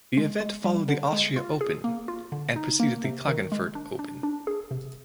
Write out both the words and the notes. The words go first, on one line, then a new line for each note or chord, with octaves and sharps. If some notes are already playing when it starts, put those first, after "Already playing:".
The event followed the Austria Open and preceded the Klagenfurt Open.
G#3
G#3
G3
D3
G#3
F4
G#4
A#3
F4
D3
D#4
A#3
C3
D#3
G#3
D4
D4
D4
G#4
C3